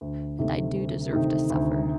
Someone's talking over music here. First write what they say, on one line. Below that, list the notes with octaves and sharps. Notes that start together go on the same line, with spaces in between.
And I do deserve to suffer.
D2
C3 D#3 A3 D#4
D2
C3 D#3 A3 D#4
D2